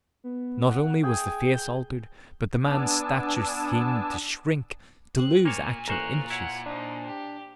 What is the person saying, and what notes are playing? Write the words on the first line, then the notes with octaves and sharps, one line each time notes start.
Not only was the face altered, but the man's stature seemed to shrink, to lose actual inches.
B3
F#5
G#4 G5 G#5
G6
B3 D4 G#5 A5 D6 E6
C4 F#6
A#2 A#3 C#5 A5 C#6
A1 A#3 C5 A#5 C#6 F6 F#6
E4 C#5 F#5 C6
D4 D#4 C5
G4